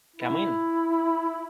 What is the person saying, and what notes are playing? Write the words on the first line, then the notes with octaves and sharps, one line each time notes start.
Come in!
E4